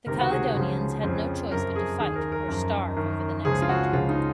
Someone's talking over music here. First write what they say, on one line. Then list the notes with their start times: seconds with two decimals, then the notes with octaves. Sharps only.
The Caledonians had no choice but to fight, or starve over the next winter.
0.06 C#2 C3 D#3 A#4
0.21 F#4
0.31 G#4
0.55 C#2 C#3 F3
1.03 F2 C#3 F3
1.51 F#2 F3 A#4
1.76 G#4
1.99 D#2 D#3 G#4
2.16 A#4
2.32 A#4
2.48 F#2 F3
2.97 F#2 D#3
3.45 C#2 C#3 F3 G#4
3.62 F4
3.69 F#4
3.93 C#2 C#3 F3 F4
4.09 D#4